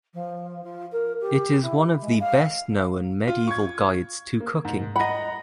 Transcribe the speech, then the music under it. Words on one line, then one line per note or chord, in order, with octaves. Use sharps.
It is one of the best-known medieval guides to cooking.
F3
F4
A#4
G4
E4
G#3
F5
F4
C#6 G#6
A#3
G#2
D#5 F#5 A#5 B5